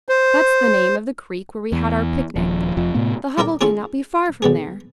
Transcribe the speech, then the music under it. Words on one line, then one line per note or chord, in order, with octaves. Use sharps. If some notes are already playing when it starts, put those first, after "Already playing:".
That's the name of the creek where we had our pic-nic. The hovel cannot be far from there!
C5
E2
D#1 F3
F1 F2 F3
A2 C3 A3 B3
G3 D4 A4 A#4 G5
A3 C#4 E4 F4 G#4
D3 B3 G#4